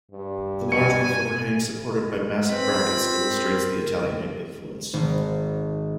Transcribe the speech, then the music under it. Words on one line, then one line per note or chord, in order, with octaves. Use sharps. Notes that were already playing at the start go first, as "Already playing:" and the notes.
The large roof overhang supported by massive brackets illustrates the Italianate influence.
G2
G#5 C#7
C4 B4 B5
F4
A#4
G#1